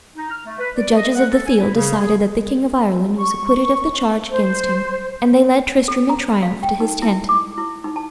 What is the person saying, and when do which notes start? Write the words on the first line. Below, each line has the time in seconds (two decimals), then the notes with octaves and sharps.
The judges of the field decided that the king of Ireland was acquitted of the charge against him, and they led Tristram in triumph to his tent.
0.17 D#4
0.30 F6
0.45 A3
0.59 B4
0.76 D5
0.95 D#5
1.14 F#5
1.31 A4
1.46 G#5
1.59 E4
1.73 C#3
1.99 G#4
3.16 C#6
4.31 C5
5.88 A4
6.09 A#5
6.43 F5
6.63 G5
6.80 D#4
7.02 E4
7.29 D6
7.58 E4
7.84 D#4
7.96 A5